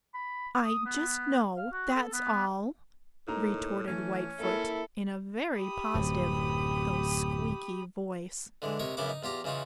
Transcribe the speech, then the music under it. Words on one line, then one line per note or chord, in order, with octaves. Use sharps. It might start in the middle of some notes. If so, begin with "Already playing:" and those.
"I just know, that's all," retorted Whitefoot in a very positive though squeaky voice.
B5
D#6
B3
F5
F#4
A4
B3
A2 A#3 D#4 A#5
E3 A3 C#4
A#3 E4 A4
G4 B5 D#6
D1 F#2
D3 E3 G#3
C3 D#4 A#4 C#5
F#2 C#3 B3 E4 F#4 D6
D#4
E2 F4 G4 A#5
C#3 E3 D#4 F4 F#4